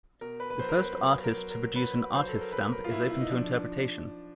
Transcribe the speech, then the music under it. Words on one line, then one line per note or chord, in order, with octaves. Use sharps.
The first artist to produce an "artist's stamp" is open to interpretation.
B2 A#4
B4
B4
F#3 C5
A#4
B4
F#3
A#4
F#3
A#4
F#3 B4
F#3 C5
A4
A#4
F#3 B4
A#4
F4
B2 E4
E4
D#4
F3 D4